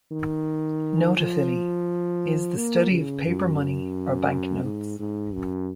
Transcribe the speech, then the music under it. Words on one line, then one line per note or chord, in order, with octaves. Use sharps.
Notaphily: is the study of paper money or banknotes.
D#3
F3
A#3
C#3
F#2
G#2
G#2
F#2